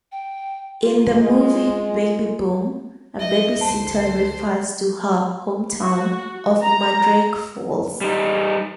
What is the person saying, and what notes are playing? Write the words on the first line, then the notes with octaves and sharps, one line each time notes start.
In the movie "Baby Boom", a babysitter refers to her hometown of Mandrake Falls.
G5
F4
G#3
G3 D#5 E5
C#2 D3 C5 A5
F#4
A#5
G3 D#4